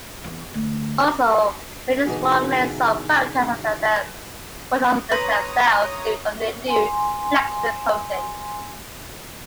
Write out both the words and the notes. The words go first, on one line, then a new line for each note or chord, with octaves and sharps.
Also, many strongmen sold photos of themselves nude or near-nude, flexing and posing.
E2
D2
B2 D3 E3 D#4 F#4 G#4
B4 C#5 A#5 C6 D#6 A#6
G#5 C6